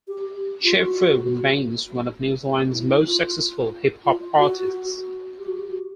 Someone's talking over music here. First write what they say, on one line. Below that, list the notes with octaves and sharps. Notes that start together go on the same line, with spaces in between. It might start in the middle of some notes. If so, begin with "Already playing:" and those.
Che Fu remains one of New Zealand's most successful hip hop artists.
G4
F4
F#4
E4
F4
F4
F#4
G4
F#4
G4
F#4